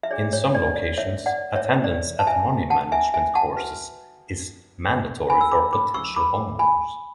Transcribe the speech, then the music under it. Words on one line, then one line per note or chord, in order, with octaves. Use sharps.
In some locations, attendance at money management courses is mandatory for potential homeowners.
E5
D4 G#4 C#5 D5
C#5
D5
D5
C#5 E5
D5 F#5
C#5 E5
D5
A5
E5 G#5
F#5 A5
E5 G#5
E5 G#5
F#5 A5
F#4 B4
G#5 B5
E6
B5 D6
B5 D6
C#6 E6
B5 D6
G#5 B5